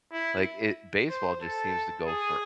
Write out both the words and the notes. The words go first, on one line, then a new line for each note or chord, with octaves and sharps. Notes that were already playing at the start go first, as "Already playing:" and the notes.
like, it baseball just seems to go for
E4
C5
A4
G#4